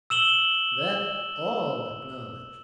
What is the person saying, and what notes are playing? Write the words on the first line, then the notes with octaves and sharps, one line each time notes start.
That all acknowledge.
E6 E7 F#7 G7